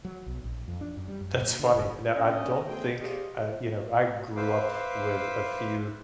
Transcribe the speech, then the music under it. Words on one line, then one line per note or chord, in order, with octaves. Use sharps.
That's funny. Now, I don't think uh, you know, I grew up with a few,
F#3
B1
A#1
F2
D4
F#2
G3
F#2
A#2
D3
F1
C#4 D4 F#4 D5 D#5
A3 B3 E4 G#4 C5 G5
G4 G#4 C5 D5 D#5 F5
B4 C5 E5 F5 D6